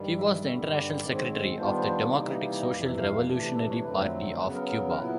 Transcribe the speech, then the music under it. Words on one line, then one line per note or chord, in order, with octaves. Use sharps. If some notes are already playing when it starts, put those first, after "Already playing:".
He was the international secretary of the Democratic Social-Revolutionary Party of Cuba.
Already playing: G2 D#3 G3
E5
E5
G2 D3 G3 E5
D5
G#2 D#3 G#3 C4 D5
C#5
D#3 G3 B3 D4 F4 C5
C5
C3 E3 G3 A#3 D#4 D5
D#5
D5
D#5
F2 C3 E3 D5
E5
F5
C3 E3 A3 D4
E5
C#5
F2 D3 F#3 A3 C4 B4
C#3 F#3 B3 B4
A#4
A#4
A#4
A#2 F#3 B3 E4 B4